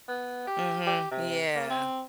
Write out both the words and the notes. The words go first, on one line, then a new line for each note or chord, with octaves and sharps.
Mhm, yeah.
B3
G4
G4
C3
A#3
C4